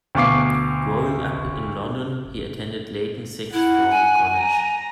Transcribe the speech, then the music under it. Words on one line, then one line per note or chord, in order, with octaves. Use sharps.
Growing up in London, he attended Leyton Sixth Form College.
D2 B2 F5 C#6 D6 C7
E4 F#5
G#5
A#5